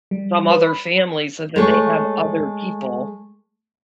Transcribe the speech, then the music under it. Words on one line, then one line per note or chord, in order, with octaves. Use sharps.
some other family so that they have other people.
G3
B4
B5
G#3 A3 C#5